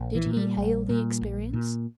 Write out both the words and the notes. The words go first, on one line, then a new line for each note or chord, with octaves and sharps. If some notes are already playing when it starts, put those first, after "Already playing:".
Did he hail the experience?
Already playing: A#1
E3
A#2
G3
A#1
A#2
A#1
A#2